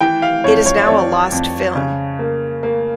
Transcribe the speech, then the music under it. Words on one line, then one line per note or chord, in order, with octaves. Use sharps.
It is now a lost film.
E3 G5
F5
F2 C#5
C#5
D5
F2 C#5
F2
C#3
A#3
A#3